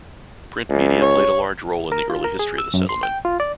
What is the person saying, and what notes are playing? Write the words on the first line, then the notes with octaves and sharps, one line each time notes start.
Print media played a large role in the early history of the settlement.
C#2
C#5
A#4
F4
A#4
G#4
E6
F#2
C6
G5
F4
D5